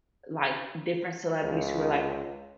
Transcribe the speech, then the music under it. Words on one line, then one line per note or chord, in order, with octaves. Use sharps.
like different celebrities who were, like,
C#2